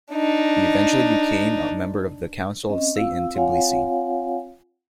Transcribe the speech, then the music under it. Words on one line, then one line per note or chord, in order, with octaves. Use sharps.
He eventually became a member of the Council of State in Tiblisi.
D4 D#4
C4 C#4 D#5
C4 F4 F5 E6
C4 F4 C#5 F5 F#5 G#5